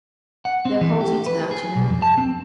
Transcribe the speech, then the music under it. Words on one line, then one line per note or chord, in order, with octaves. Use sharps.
They'll hold you to that, you know.
F#5
C4
E3
G4
B4
G#4
B1
F2
A5
C4